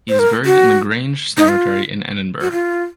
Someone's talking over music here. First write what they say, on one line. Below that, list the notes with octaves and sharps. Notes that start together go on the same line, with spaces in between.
He is buried in the Grange cemetery in Edinburgh.
C5
A#4
F#4
D#4
F4
F#4
F4